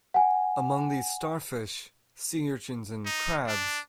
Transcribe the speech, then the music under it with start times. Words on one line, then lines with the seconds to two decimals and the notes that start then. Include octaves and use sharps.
Among these starfish, sea urchins and crabs.
0.14 F#5 G#5
3.06 D#4
3.47 D4